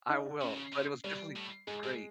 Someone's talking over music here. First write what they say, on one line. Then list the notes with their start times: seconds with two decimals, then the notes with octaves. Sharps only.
I will, but it was definitely great.
0.10 D#4
0.26 D4
0.41 C#3 C#4
0.49 C3
0.56 C#3
0.73 C3
1.04 B2 G3
1.36 A2
1.67 G#2 G#3
1.84 A2